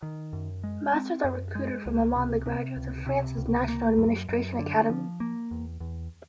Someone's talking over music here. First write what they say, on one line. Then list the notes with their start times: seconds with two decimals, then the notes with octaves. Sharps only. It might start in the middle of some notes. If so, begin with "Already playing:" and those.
Masters are recruited from among the graduates of France's National Administration Academy.
0.02 D#3
0.33 F#2
0.64 G#3
0.94 C4
1.24 F#2
1.55 G#3
1.86 C#2
2.16 C3
2.46 C3
2.76 C#2
3.06 C3
3.37 C#2
3.68 A#3
3.98 F#2
4.29 F#2
4.59 D3
4.89 F3
5.20 A#3
5.51 E2
5.80 E2